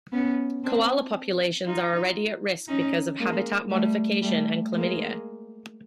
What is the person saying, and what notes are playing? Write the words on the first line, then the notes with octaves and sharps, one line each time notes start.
Koala populations are already at risk because of habitat modification and chlamydia.
B3 C#4
C4 D4
D#4 F4
C#4 D#4
G#3 A#3
G3 A3
G3 A3
G#3 A#3